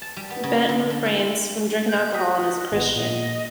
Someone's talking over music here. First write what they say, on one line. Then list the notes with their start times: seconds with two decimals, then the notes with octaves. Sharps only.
Bent refrains from drinking alcohol and is a Christian.
0.02 A5
0.17 G3
0.30 B3
0.43 C#3
0.56 F4
0.69 D3
0.90 A3
1.06 E4
1.19 F4
1.88 G6
2.14 F#4 D#6 B6
2.72 G#1 G#3 B3 D#5
2.96 A#2 D#5